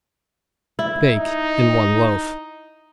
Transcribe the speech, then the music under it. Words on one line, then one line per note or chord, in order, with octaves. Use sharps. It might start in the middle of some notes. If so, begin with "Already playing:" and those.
Bake in one loaf.
E4
D#4